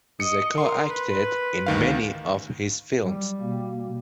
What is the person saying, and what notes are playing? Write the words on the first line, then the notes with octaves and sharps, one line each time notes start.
Zecca acted in many of his films.
D#5 C#7
A#4 C6
B4
D2 D#3 F5
G3
B2 A#3